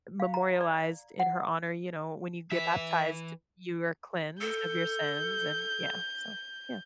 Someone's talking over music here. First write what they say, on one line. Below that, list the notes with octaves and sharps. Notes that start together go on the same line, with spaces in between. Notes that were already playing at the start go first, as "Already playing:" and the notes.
memorialized in her honor. You know, when you get baptized, you are cleansed of your sins and yeah. So, yeah.
F5
A#5
D5
F#5
E3 B4 E5
A4 G6